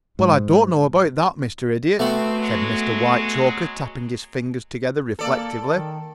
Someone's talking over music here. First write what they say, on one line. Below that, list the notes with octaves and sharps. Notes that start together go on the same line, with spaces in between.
"Well, I don't know about that, Mr. Idiot," said Mr. Whitechoker, tapping his fingers together reflectively.
G#2
A3 B3 C4 F#4
F#3 G#3
A#3 A4 D5
D#3